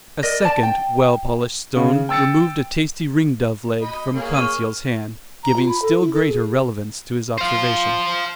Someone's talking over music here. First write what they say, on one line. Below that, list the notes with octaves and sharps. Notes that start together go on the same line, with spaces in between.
A second well-polished stone removed a tasty ringdove leg from Conseil's hand, giving still greater relevance to his observation.
A#4 D5 D#5
D5 A5
G5
C#3
G5 E6 A6 C#7
D#5 B5
A#3 G#4 C#5
C#6 F6 D#7
A#5
F4
B5
A4
E4
A4
G#4
C5 F5